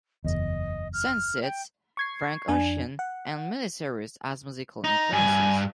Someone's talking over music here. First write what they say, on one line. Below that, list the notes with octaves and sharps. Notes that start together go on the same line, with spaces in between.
Sant cites Frank Ocean and Miley Cyrus as musical influences.
F#1 E2 D#5
F6
G5
C#6 G#6 C7
F2 D4 G#5
F#5
D#4 A#5
G2 G#5